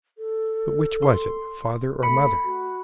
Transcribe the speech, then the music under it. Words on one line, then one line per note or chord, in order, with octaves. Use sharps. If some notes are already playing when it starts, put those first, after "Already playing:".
But which was it, father or mother?
A4
C6
A3 B5 C#7
F#4